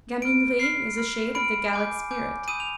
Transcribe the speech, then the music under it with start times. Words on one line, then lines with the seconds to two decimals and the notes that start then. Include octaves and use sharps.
Gaminerie is a shade of the Gallic spirit.
0.22 B5 F6 D7
0.59 B5 F6 C7
0.98 B5 F6
1.35 B5 F6 D7
1.73 G#5 D6 G6
2.11 G#5 D6 G6
2.48 B5 D#6 G6 D#7
2.60 F7